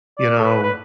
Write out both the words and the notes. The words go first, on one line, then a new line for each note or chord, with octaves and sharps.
you know,
D5
A4
B4
B4